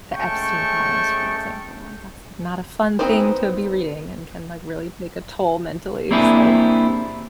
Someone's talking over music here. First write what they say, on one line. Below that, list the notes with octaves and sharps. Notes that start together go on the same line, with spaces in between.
the Epstein Files, for example, like, that's not a fun thing to be reading and can, like, really take a toll mentally. So,
G#3 A3 C#4 G5 A5 C#6
B3 C4 D#4 C5
A#3 C4 D4 E4 G4 G#4